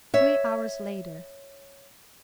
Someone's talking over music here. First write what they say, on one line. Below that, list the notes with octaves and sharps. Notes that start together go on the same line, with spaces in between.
Three hours later.
C#5 E5